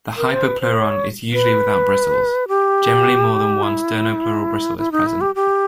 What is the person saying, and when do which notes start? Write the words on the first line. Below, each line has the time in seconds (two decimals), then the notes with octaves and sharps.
The hypopleuron is usually without bristles; generally, more than one sternopleural bristle is present.
0.17 A#4
0.32 C5
0.47 B4
0.61 C5
0.75 C#5
1.33 B4
2.48 G4
3.63 E4
4.78 E4
4.92 D#4
5.07 E4
5.21 G4
5.35 G4